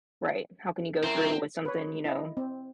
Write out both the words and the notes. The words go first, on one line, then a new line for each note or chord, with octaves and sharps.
Right, how can you go through with something, you know?
C4 E4 A#4 C5
B4 C#5
E4 D#5
C4